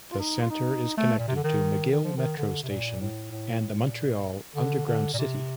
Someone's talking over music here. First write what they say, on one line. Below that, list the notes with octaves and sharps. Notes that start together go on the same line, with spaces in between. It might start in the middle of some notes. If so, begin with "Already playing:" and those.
The centre is connected to McGill Metro station and the Montreal Underground City.
F4
D#4
F4
D#4
A3
A#2
C3
D3
D#3
D#3
F3
D#3
D3
C3
A#2
A2
A2
A#2
D3
D3
A#2
C3